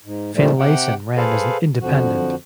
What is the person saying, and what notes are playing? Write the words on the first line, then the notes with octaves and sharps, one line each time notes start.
Finlayson ran as an independent.
G#2
A#2 D3 D#3 F3 G3 A3
C3 G4 F#5 G5
G#4 A4 B4 C5 F5
F2 D3 F3 F#4